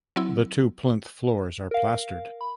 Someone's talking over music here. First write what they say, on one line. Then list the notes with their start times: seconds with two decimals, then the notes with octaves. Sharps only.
The two plinth floors are plastered.
0.16 F#3 C4 E4
1.71 A#4 F5
2.41 B5